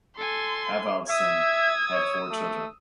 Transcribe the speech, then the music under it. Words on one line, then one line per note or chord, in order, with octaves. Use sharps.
Avildsen had four children.
A4 G#5 C6
E5 D#6 E6 G#6
C#5
A3